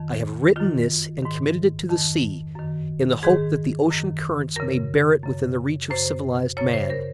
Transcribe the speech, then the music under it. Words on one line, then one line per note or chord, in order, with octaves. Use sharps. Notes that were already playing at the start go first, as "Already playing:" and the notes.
I have written this and committed it to the sea, in the hope that the ocean currents may bear it within the reach of civilized man.
Already playing: F2 D#3
F#2 D#3 F4
G#2 D#3
F2 D#3
F#2 D#3
G#2 D#3 G#4
F#2 D#3
F#2 C#3 A#4
F#2 C#3
F#2 C#3 C5
F#2 C#3 C#5
C5
A#4